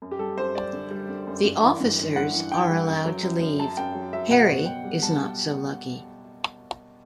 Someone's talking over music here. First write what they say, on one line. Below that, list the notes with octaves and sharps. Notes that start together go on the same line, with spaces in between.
The officers are allowed to leave; Harry is not so lucky.
F#2
G4
G3 A4
F#2 C5
G3 D5
D3
G3
D3
F#2
G2
E3
G2
E3
G2 F#5
E3
E3 G5
G3
F#2
F#3
F#2
F#2
F#3 A5
F#2 G5
F#3
F#3 E5
B2 F#5
B2
B2 G5
G3
G3 A5